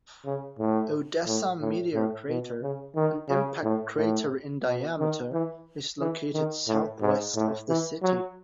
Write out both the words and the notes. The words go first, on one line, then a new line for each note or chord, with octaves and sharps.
Odessa Meteor Crater, an impact crater in diameter, is located southwest of the city.
C#3
A2
A2
A2
A2
B2
C#3
D#3
C#3
A2
A2
B2
D#3
E3
E3
D#3
A2
G#2
A2
E3
F#3